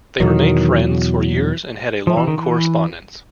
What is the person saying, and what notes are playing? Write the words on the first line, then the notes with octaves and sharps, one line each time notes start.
They remained friends for years and had a long correspondence.
E2 B2 D#3 F#3
F3
E3
D#3
E3